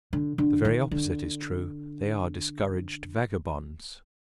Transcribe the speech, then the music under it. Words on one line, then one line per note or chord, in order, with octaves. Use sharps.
The very opposite is true; they are discouraged vagabonds.
D3
D3
D#3
D3